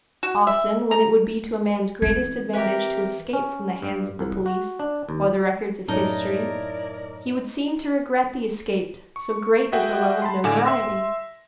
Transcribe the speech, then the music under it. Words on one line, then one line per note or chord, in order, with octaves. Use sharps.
Often when it would be to a man's greatest advantage to escape from the hands of the police or the records of history, he would seem to regret the escape so great is the love of notoriety.
F#4
E5
A#5
E3 C4 G#6
G4 A#4 B4 E5
C#4
G2
C2
F#4
D4
D#2
F#2 A2 D#4 E4 A#4 C#5 D5 A5
C#6
F#4 G#4 B4 E5 F#5 G5
A5 B5 C6
A2 D3 F5 G#5 D6 E7
E5 C6 E6 A#6